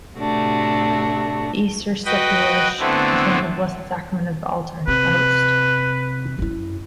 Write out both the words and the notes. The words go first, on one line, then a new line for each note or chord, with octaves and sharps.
The Easter Sepulchre contained the Blessed Sacrament of the altar, the Host.
A2 C3 A3 D4 F#4
F#4 B4 D#5 G5 B5
D3 A3 B3 C4 E4
C3 B4
F#2 E4